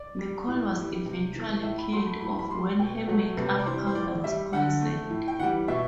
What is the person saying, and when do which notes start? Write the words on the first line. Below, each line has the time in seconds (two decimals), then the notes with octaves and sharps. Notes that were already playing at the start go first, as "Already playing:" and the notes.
Nicole was eventually killed off when her makeup powder was poisoned.
Already playing: D5
0.19 G3
0.48 A2
0.76 E3 G3
1.06 C3
1.34 E3 A3
1.63 A2 E5
1.78 B5
1.92 F#3 A3 C6
2.07 B5
2.21 A2 B5
2.39 B5
2.50 G3 C6
2.78 B2 G5
3.07 F#3 A3 A4
3.37 C3 B4
3.59 D5
3.66 E3 G3 C5
3.87 C5
3.95 A2 D5
4.24 G3 E5
4.53 D3 F#5
4.81 A3
5.10 A2
5.28 G5
5.39 E3 G3 F#5
5.68 B2 E5